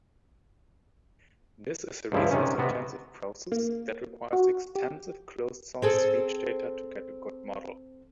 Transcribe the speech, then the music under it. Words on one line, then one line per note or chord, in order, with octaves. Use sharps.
This is a resource-intensive process that requires expensive closed-source speech data to get a good model.
C#2 G2 F3 E4
C3 D#3 C#4
C3 B3 F#4
A#3
F#4
G4
C4 G#4 A4